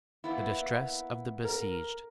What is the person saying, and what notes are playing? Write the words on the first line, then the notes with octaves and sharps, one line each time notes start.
The distress of the besieged.
A#3 B3 E4
A#4